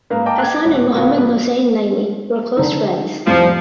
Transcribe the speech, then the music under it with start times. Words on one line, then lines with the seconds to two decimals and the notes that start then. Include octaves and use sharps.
Hassan and Muhammad Hossein Naini were close friends.
0.10 G#2 A#3 B4 F5 A#5
0.26 D#5 F5 G5 A5 A#5 D6
0.39 F#6 G#6
0.64 D#1 A1 C#5
0.95 C#3 A#3 B3 F4 F#4 A#4
1.17 G#2 F3 B4
2.57 D3 D#4
3.27 C2 F2 A2 F3